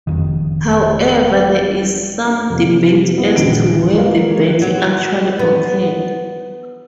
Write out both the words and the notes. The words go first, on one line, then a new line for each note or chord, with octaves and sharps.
However, there is some debate as to where the battle actually occurred.
F#1 C2 F2 D#3
F2 C3
B3 E4
A#1 D#2 C#3 F#4 D7
F#3 G#3 A#3 B4 F5
F#3
B3